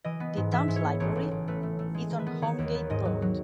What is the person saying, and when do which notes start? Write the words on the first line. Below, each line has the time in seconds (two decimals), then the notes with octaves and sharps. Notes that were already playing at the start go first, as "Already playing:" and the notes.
The town's library is on "Holmgate Road".
0.04 E3 D#5
0.20 B3
0.37 G#2
0.52 E3 E5
0.68 G#2
0.76 C#5
0.84 B3
1.00 A1 C#5
1.15 A1
1.31 A1
1.48 A3 B4
1.63 A3
1.79 A3
1.94 G#3
2.10 D#3
2.19 B4
2.26 B3
2.42 D#3 C#5
2.59 D#2
2.75 B3
2.90 G#2 D#5
3.05 F#3
3.22 F#3